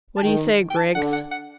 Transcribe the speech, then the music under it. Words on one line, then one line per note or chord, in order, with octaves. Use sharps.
What do you say, Griggs?
A5
D#3 G5
G5
A5
D3 F#5
F#5
F#5